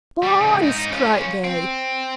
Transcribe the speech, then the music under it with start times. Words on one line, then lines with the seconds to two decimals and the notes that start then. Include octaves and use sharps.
"Boys!" cried they.
0.23 G3
0.41 G#2 C#3
0.62 G#2 D#4
0.92 C#4 F4
1.44 C4